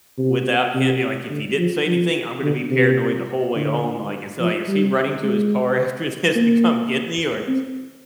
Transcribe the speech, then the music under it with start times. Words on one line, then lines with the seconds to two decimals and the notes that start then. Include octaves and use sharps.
without him you know, like if he didn't say anything, I'm gonna be paranoid the whole way home, like it's like, is he running to his car after this to come get me, or,
0.18 C3
0.75 C3
1.31 D3
1.58 F3
1.86 F3
2.43 D3
2.71 C3
3.56 D3
4.39 F3
4.68 G3
5.24 G#3
6.35 A#3
7.48 C4